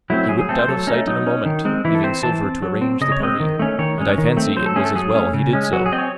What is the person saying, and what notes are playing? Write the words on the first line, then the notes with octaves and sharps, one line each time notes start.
He whipped out of sight in a moment, leaving Silver to arrange the party, and I fancy it was as well he did so.
F#3 A3 C4 E4
F#3 G#4
G#4
A3 C4 A4
C5
F#3 A4
A3 C#4 D#4
F#3 D#4
C#4
D#3
G#3 C4
E3 E4
A4
C4 C5
E3 A5
C4
F#3
C4
C#3 D#5
C#5
G#3 C4 D#5
D#3
A3 C#4
D#3 C#5
G#3 C#4
D#3
A3 C4
F#3 C5
A4
A3 C#4 G#4
A4
F#3 G#4
A3 C#4
C#3
G#3 C#4
F#3 F#4
G#4
C4 D#5
C#5